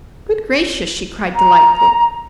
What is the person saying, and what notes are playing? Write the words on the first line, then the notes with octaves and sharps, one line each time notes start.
"Good gracious!" she cried, delightedly.
A#5